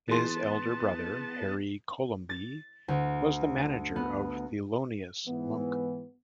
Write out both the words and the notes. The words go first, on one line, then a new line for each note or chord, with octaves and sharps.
His elder brother, Harry Colomby was the manager of Thelonious Monk.
E3 B3 G#4 A5 C6
A6
D2
B3
G#2 E3 B3